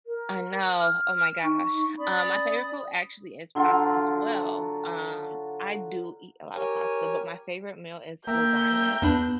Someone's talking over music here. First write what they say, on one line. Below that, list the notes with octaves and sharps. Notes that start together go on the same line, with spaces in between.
I know, oh my gosh. Um, my favorite food actually is pasta, as well. Um, I do eat a lot of pasta, but my favorite meal is lasagna.
A#4
F6
D#4 C#6
C#4 D5 B5 D#6
D3 F#3 F4
G4 A#4 C#5 G#5
A#3 E5 G5 A#5 G6
E2 B3 D4 B5